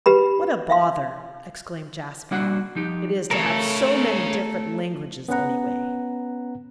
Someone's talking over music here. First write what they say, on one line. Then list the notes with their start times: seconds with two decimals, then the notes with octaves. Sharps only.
"What a bother," exclaimed Jasper, "it is to have so many different languages, anyway!"
0.06 G4 B4 B5
0.70 E5 F5 C6
2.31 G3 A#3 D4 F#4 F#5
2.76 F3 D#4 G4
3.31 A3 A4 A#4 C#5 F5
5.29 B3 C#4 B4 F#5 A#5